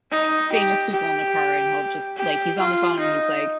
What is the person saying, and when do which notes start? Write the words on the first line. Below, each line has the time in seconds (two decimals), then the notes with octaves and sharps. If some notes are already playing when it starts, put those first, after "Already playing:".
famous people in the car, and he'll just like, he's on the phone, and he's like
0.11 D#4
0.53 G4
0.93 G4
2.17 G4
2.59 F4
3.00 D#4